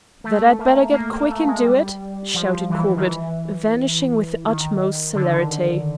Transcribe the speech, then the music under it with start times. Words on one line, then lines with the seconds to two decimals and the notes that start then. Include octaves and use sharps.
"That I'd better get quick and do it," shouted Corbett, vanishing with the utmost celerity.
0.24 A3
0.59 A#3
0.94 A#3
1.12 A#3
1.29 A3
1.47 G#3
1.64 G3
2.34 F3
2.70 E3
2.96 D#3
3.04 E3
4.45 D#3
5.15 D3